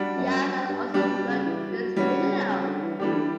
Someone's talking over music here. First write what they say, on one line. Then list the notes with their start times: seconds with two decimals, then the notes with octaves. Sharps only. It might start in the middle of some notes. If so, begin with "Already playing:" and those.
Yass has also worked with video.
Already playing: G3 D4 F#4
0.16 F#2
0.68 G2
0.94 G2 G3 D4 G4
1.11 B2
1.28 C#3
1.45 E3
1.71 F#3
1.96 E3 G3 C#4 F#4
2.10 D3
2.22 C#3
2.35 B2
2.48 C#3
2.66 D3
2.82 E3
3.00 D3 E3 G3 D4 G4
3.16 D3